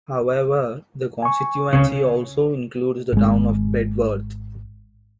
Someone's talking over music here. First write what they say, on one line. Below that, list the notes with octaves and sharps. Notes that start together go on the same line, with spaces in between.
However the constituency also includes the town of Bedworth.
G#5 C#6
C#2 C#3 C#4
G#1 G#3